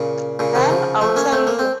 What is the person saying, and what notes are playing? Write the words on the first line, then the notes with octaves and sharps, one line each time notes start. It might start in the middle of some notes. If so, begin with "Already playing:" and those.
Then I'll tell you.
Already playing: A#2 C#3
A#2 C#3
C3 D#3
C#3 F3
F3 A3
A#3 C#4
A3 C4
A#3
C4